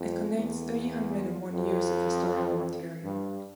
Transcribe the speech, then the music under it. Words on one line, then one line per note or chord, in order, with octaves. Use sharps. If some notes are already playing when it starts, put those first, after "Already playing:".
It contains three hundred and one years of historical material.
Already playing: F2
E2
F2
G2